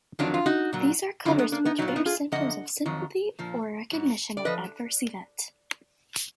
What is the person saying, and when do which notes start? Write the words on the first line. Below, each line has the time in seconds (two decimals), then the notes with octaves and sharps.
These are covers which bear signs of sympathy or recognition of an adverse event.
0.19 F2 D#3 F#3 D4 F4
0.34 F4
0.46 D#4 F#4
0.73 A#2 F#3
1.25 F#2 D3 F#3 D4 F4
1.38 G#3 B3
1.52 A#3 D4
1.65 B3 D#4
1.78 A#2 F#3 D#4
1.88 F4
1.96 B3 D#4
2.06 F4 G#4
2.32 F#2 D3 F3 D#5 F#5
2.86 F2 D#3 F#3
3.39 A#2 F3
3.92 G#2 F#3
4.37 D5
4.45 F3 B4 D#5